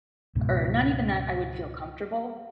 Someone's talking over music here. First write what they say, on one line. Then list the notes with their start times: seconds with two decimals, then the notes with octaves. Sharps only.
or not even that I would feel comfortable,
0.35 C#2 G#2 B2